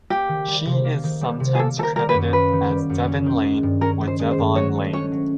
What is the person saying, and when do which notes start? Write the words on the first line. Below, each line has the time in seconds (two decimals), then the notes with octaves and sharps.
She is sometimes credited as Devin Lane or Devon Lane.
0.10 A#3 G4
0.29 D#3
0.47 G3
0.66 C3
0.85 A#3
1.04 D#3
1.21 G3
1.40 C3
1.55 G#4
1.59 A#3 A4
1.77 D#3 A4
1.83 A#4
1.96 G3 A#4
2.09 B4
2.14 F#2
2.33 A#3 B4
2.52 D#3
2.70 G3
2.90 F#2
3.08 C#4
3.26 D#3
3.45 G#3
3.63 G2
3.81 C#4 A#4
4.00 D#3
4.07 C5
4.20 G#3
4.31 C5
4.38 G2
4.56 F#3 C#5
4.75 A3
4.93 C#4 C#5
5.12 F#3